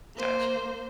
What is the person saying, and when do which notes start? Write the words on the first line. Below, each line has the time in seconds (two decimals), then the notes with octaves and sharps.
Got you.
0.16 A#3 C5